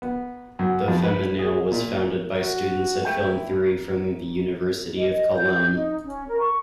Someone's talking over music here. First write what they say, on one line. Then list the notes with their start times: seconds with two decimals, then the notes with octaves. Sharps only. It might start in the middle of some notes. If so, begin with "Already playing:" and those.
The Feminale was founded by students of film theory from the University of Cologne.
0.02 B3
0.59 F#2
0.88 F2
1.03 B4
1.39 G#4
1.72 A#2
2.40 F#4
3.05 A3 E4 G5
4.96 D#5
5.35 G6
5.75 D#4
6.04 C#4
6.29 A#4
6.40 C#6